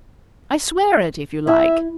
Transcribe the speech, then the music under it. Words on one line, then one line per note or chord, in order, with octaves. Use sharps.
I swear it, if you like.
E4 E5